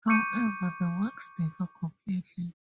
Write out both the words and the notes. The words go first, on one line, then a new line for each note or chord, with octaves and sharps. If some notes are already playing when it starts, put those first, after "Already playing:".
However, the works differ completely.
C#6 D6 G6 C#7 D#7